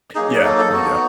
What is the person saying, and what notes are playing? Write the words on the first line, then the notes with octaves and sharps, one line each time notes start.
Yeah. There you go.
F#3 A#3 D#4 G#4
A4
A4
B3 D#4 F#4